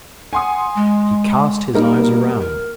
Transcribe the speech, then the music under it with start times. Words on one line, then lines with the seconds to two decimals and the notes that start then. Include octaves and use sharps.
He cast his eyes around.
0.33 F#5 G#5 C6 D#6
0.75 G#3
1.74 G3 A#3 D#4 A#4
2.40 A#4